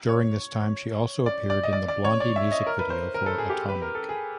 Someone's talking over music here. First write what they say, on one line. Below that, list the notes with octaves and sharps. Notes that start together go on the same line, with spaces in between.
During this time, she also appeared in the Blondie music video for Atomic.
C#5
D5
D5
D#5
D5
D5
C#5
D5
E5
D#5
A#4
B4
C5
A#4
A4
G#4
G4
B4
A#4
A4
G#4